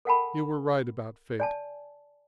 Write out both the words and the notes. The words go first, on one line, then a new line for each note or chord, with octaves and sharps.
You were right about Fate.
A4 A#4 F#5 G5 A5 B5
D5 G#5 A5